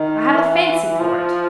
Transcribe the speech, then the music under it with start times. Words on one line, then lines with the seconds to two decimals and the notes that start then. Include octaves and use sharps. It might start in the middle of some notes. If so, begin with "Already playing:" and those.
I have a fancy for it.
Already playing: D#3
0.34 E3
1.00 F3